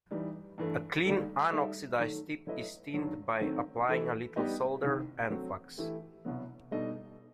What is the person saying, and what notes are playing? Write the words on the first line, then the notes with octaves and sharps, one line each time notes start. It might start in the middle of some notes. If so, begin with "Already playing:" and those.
A clean unoxidised tip is tinned by applying a little solder and flux.
E3 G3 D#4
G2 E3 A3
D#2 D#3 G3 D#4 A4
G3 D#4 A4 E5
D#3 F#3 A3
F#3 A3 E4 B4 D#5
G2 D#3 F#3
D#3 F#3 A3 C4
E3 A3 E4 A4 E5
G3 B3 D#4 G4 D#5
C2 C3 D#3
F#3 A3 C4 F#4
E3 A3 E4 G4
C2 B2 F#3 B3
B2 G3 D#4 A4 D#5